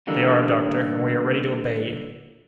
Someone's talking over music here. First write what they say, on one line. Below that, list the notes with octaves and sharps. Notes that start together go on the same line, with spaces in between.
"They are, doctor, and we are ready to obey you."
D3 E3 G3 A#3 D#4